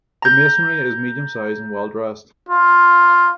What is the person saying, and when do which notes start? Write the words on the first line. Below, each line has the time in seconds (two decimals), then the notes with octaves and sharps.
The masonry is medium-size, and well-dressed.
0.22 A#5 G6
2.49 F4